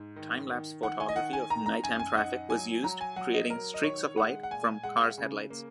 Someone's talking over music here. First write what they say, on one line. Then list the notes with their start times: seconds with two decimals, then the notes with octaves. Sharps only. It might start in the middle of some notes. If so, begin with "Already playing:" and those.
Time-lapse photography of night-time traffic was used, creating streaks of light from cars' headlights.
Already playing: G#2
0.16 D#3
0.49 D#3
0.83 D#3 F#5
1.00 G#5
1.09 D#5
1.16 D#3 F#5
1.33 G#5
1.50 D#3 A#5
1.66 A#5
1.83 F#2 G#5
1.99 G#5
2.16 D#4 F#5
2.50 F#3 G#5
2.83 F#3 A#5
3.01 G#5
3.16 F#3 F#5
3.34 D#5
3.50 F#3 A#4
3.74 D#5
3.83 D#3 C#5
4.17 G#3 F#5
4.43 F#5
4.51 A#2 G#5
4.83 G#3 F#5
5.18 C#3
5.50 A#3